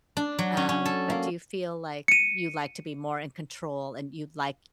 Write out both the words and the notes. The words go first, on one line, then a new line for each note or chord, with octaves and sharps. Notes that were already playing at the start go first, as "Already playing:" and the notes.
um, but do you feel like, you like to be more in control, and you like
D4
F#3
C#4
C#4
A4
A#3
C#7 D#7